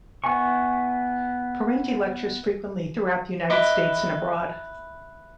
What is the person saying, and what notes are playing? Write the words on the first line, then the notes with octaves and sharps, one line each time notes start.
Parenti lectures frequently throughout the United States and abroad.
B3 E4 G#5 C#6
E4 B4 D#5 D6